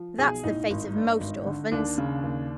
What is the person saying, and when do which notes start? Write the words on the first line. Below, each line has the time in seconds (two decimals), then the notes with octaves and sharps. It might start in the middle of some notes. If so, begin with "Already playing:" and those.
That's the fate of most orphans.
Already playing: F3
0.18 B1 G#4
0.44 A2 D#4
0.70 G#1
0.95 G2
1.20 G#1
1.46 D3
1.71 D#2 D4
1.98 C#3
2.23 D#2